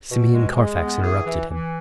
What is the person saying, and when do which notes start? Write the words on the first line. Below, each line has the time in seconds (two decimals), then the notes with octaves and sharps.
Simeon Carfax interrupted him.
0.10 B2
0.33 G#3
0.56 G#3
0.80 B3
1.02 E3 G#4
1.26 E3
1.49 E3